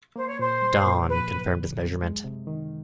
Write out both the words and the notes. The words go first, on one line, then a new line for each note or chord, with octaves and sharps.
"Dawn" confirmed this measurement.
A#3 C5
C#5
A#2 C5
G3
A#2
F3 B4
F#2
D3
F#2
G#3
C3
D#3